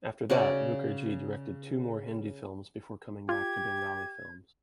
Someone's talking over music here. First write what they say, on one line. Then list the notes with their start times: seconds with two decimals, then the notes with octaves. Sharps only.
After that Mukherjee directed two more Hindi films before coming back to Bengali films.
0.30 C#3 F#4 D5
3.29 F4 G4 G#6